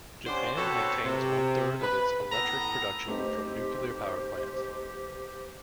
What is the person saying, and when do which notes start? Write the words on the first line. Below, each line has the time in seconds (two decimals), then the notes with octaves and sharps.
Japan maintains one third of its electric production from nuclear power plants.
0.27 B3 C#4 D4 G4 C5
0.57 B2 C4 F#4 A4 C#5
1.04 C3
1.81 B4
2.32 A2 B3 A4 B4 A#5
3.08 A3 C4 D#4 G4 B4 C5